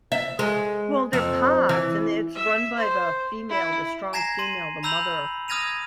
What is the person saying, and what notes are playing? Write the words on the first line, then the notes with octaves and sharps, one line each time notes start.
Well, they're pods and it's run by the female, the strong female, the mother.
E5
G#3
F2
E3
E5
C5
E4
G#5 A#5 G#6 A#6 C7 E7
C6 D#7
A#5 B5 E6 G6 F7 F#7
D#6 F6 G#6 A#6 D#7 F7